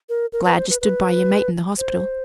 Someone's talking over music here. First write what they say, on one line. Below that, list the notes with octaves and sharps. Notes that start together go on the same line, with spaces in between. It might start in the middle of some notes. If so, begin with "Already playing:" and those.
Glad you stood by your mate in the hospital.
A#4
A#4
B4
C5
B4
B4
C5